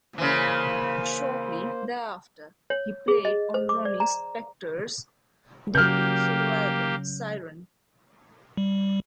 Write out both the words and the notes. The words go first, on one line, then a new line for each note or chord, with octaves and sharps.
Shortly thereafter, he played on Ronnie Spector's debut solo album "Siren".
C#3 E3 A#3 C5
C#5
G#4
D#5
C5
D6
D5
A#5
C#3 F#3 A#3 G4 F6 G6
G3